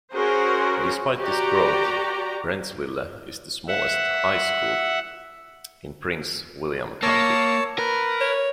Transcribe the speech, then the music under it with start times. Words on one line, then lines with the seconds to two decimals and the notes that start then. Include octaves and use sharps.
Despite this growth, Brentsville is the smallest high school in Prince William County.
0.12 C#4 F#4 G#4 A#4 C5
1.19 F#4 G4 D5 A#5
3.68 E5 F#5
7.03 A#3 C#5 A5 E6
7.78 A#4 B4
8.21 C#5